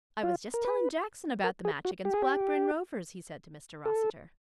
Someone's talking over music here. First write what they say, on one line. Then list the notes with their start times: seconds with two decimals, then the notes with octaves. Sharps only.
I was just telling Jackson about the match against Blackburn Rovers,' he said to Mr Rossiter.
0.23 F4
0.54 A#4
0.65 B4
1.44 A#4
1.65 G#4
1.85 F#4
2.05 G4
2.14 G#4
2.22 G4
3.85 A4